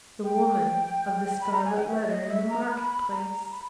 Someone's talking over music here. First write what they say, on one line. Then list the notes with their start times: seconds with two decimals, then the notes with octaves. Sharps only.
The woman of the scarlet letter in the marketplace!
0.24 G5
1.41 B5
1.52 A#5
1.65 G#5
1.76 G5
1.88 E5
2.08 D#5
2.29 E5
2.49 A#5
2.70 B5
3.11 A#5
3.51 B5